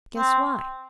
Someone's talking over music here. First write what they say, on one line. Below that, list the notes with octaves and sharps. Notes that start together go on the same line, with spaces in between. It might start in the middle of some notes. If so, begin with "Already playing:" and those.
Guess why?
C4